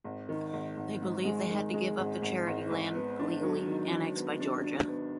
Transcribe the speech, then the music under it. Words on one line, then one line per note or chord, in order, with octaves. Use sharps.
They believed they had to give up the Cherokee land illegally annexed by Georgia.
G#1
D#3
G#1
G#1
G#2
G#3
D#3
G#3
G#1
G#1
G#1
G#1
B3
D4
F#3
D#3
D4
B3
D4
D4
B3